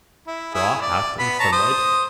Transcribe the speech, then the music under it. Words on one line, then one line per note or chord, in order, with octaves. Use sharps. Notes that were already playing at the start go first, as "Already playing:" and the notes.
Straw hat in sunlight.
E4
E4 G#4
D5
B3 B5
C#5 A5 A#5
C5 D#6